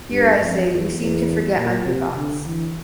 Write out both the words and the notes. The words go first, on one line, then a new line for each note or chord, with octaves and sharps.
Here, I say, you seem to forget I’m your boss.
G2
F2
E2
E2
A#2
C3
D3
E3